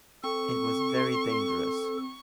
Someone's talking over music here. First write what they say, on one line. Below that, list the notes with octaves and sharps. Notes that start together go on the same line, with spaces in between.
It was very dangerous.
C4 A4 C#6